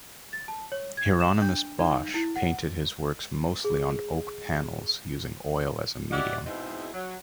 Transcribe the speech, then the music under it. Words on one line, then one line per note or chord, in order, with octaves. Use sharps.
Hieronymus Bosch painted his works mostly on oak panels using oil as a medium.
A6
A5
C#5
G#6
E7
D4
D#4
E4
F#5
G#4
E4 F#4 G4 D5 D#5 F#5
G#2 B2 G#3 C4 D#4 E4
F#3